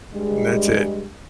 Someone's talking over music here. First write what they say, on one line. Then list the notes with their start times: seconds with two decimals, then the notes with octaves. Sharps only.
That's it.
0.14 G2 G3 G#3